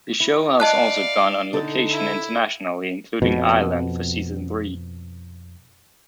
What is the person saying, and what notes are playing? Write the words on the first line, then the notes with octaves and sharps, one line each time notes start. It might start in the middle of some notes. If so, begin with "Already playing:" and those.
The show has also gone on location internationally including Ireland for Season Thre.
E4
D5 D#5 F5 A5 F#6
D3 D#4 A4
E4
F2 B2